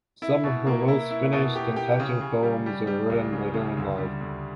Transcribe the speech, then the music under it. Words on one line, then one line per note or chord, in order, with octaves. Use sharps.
Some of her most finished and touching poems were written later in life.
E4
B2
A#3
E4
E4
B2
G4
G4
C#3
C#3
G3
G3
G3
C#2
C#3
C#3
D2
G3
D2